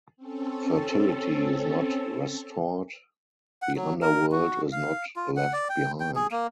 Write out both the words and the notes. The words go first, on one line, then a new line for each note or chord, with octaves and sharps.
Fertility is not restored, the underworld is not left behind.
C4 C#4 A4
F#5
F#3
A#4
F#4
F5
F4
F#5
D5
G5
G5
G#4
A#3